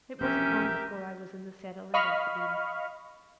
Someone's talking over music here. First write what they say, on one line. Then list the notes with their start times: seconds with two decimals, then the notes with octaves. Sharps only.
It wasn't long before I was in the saddle and off again.
0.20 E1 A#1 C#4 G4 A#4 E5 G6
1.94 D#5 F5 B5 C#6 F6